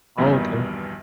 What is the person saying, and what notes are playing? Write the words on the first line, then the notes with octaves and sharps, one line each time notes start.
Oh, okay.
A#1 E2 G2 B2 D#3 G3